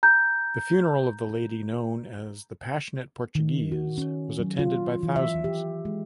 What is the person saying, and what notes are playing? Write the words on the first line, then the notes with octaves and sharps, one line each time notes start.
The funeral of the lady known as the "Passionate Portuguese" was attended by thousands.
A#5 G6
D#3
F#4
C#4
F#3
F4
E3
E5
G4
G#3